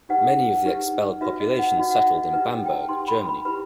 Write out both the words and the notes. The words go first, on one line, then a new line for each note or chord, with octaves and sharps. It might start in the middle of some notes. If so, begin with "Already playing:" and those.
Many of the expelled population settled in Bamberg, Germany.
D#4 G4 B4 F#5
D#4 G4 B4
D#4 F#4 B4 E5
D#5
F#5
D#4 F#4 B4 D#5
F#5
E5
D#5
D#4 G4 B4 E5
G5
G5
A5
D#4 G4 B4 C6
B5
B5
E4 G4 B4 B5